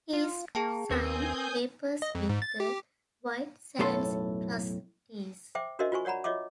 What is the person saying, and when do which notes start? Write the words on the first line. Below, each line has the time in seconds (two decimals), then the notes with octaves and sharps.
He’s signed papers with the White Sands trustees.
0.13 F4
0.55 A#3 G#4 G5 A5
0.91 D#2 C4 A#4 B4 G#5 D#6 G6
2.02 D#5
2.15 F2
2.29 G#2
2.42 A6
2.60 G4
3.79 B1 F#2 A2 A4 C6
5.55 C5 E5 G5 D6
5.79 D4 F#4 A#4 C5 D#5 E5
5.92 F4 F#4 C5 G#5 C#6
6.05 C#5 D5 F#5 A#5 B5
6.24 F4 C#5 D#5 E5 D6